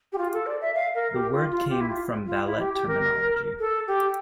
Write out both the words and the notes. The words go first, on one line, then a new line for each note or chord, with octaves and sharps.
The word came from ballet terminology.
G4
F4
A4
D5
E5
F5
A#4
G4
F4
F4
G4
E4
F4
F4
E4
G4
G4
A#4
A4
G4